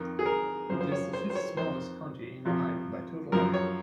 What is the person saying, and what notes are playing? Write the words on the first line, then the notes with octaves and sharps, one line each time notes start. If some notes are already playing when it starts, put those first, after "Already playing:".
It is the fifth-smallest county in Ohio by total area.
Already playing: F2 D#3
G#4
A#4
F#2 C#3 F3 C5
C5
C#5
C5
C5
C#5
F2 D#3 C5
F2 C3 F3
F#2 F3 A#4
C#5